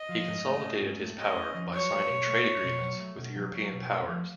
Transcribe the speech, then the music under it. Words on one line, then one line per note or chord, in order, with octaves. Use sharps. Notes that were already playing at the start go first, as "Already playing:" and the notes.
He consolidated his power by signing trade agreements with European powers.
Already playing: D#5
F3
G#2
A3
C#4
G#2
A3
C#4 D#5
C#4
F3
F#3 C#5
A3
B2
A3
A3
B2
F#3
A3
B2
F#3
F#3
B2
A3
F3